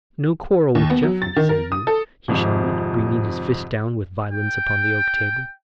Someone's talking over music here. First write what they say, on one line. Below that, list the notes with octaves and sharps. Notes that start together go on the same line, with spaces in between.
"No quarrel with Geoffrey, say you?" he shouted, bringing his fist down with violence upon the oak table.
D#2
B3
F#3
A6
D#3
A#4
D#6
A4
G#1 F2 G#2 C3 F3
G5